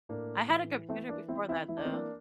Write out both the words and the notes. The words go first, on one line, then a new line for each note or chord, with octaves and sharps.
I had a computer before that, though.
A2 A#3 D4
E3
E3 A3 C4
A#3 D4
E3 C4 E4
C4 E4
E3 E4
D4
C4
A#3 D4